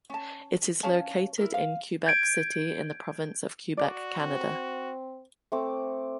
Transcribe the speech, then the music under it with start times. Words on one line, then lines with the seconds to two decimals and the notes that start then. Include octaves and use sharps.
It is located in Quebec City in the province of Quebec, Canada.
0.10 C#4 A5
0.83 C#4 C#5 F5 A5
1.38 E4 A#4
1.54 F5
2.06 G6 G#6 D7
3.77 F#4 D5
4.20 C4
5.52 A3 C4 D6